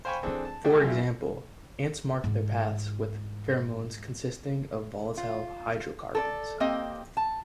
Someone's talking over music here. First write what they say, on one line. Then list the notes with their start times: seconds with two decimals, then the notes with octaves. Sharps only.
For example, ants mark their paths with pheromones consisting of volatile hydrocarbons.
0.05 C5 F5 G5 G#5 B5 C#6
0.23 E3 C4 D4 G#4 A4
0.45 A5
0.64 A3 D4 F#4 G#4 D5 G5
0.81 F#2 E4 F4
2.24 G#2 E3
5.17 F4
6.15 A4 A#4 D5
6.60 A#3 C4 G4 D#5
7.17 A5